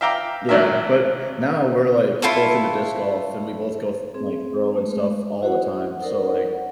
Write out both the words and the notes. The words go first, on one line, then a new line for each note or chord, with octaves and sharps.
Yeah, but now, we're, like, both into disc golf, and we both go th like, throw and stuff all the time, so, like,
E5 F5 G5 A#5 D6
G#1 F#3 D4 A#4 E5
E4 F4 A4 C#5
C4 G#4
G#3 A3
E4 F#4 C5 C#5 F#5
D#4 A4 A#4 C5 D5 F#5